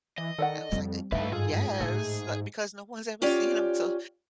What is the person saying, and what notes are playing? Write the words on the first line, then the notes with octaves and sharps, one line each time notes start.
And I was like, "Uh, ah, yes." Like, because no one's ever seen 'em, to
E3 D#5
D#3 A4 D5 F#5
F2 G3 C4
G2 D#3 A3 F4 B4 E5
G#2 F4 G#4 A4
A2 A3 D#4
C#4 F4 G4 C#5 D5